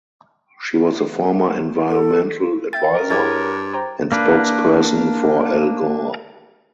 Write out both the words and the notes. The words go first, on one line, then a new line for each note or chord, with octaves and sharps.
She was the former environmental adviser and spokesperson for Al Gore.
A4
E5 G5 A6
A#4
G2 E4 G#4 C#5 D6 G#6 A6
C5 G5 A#5
A#3 D4 B4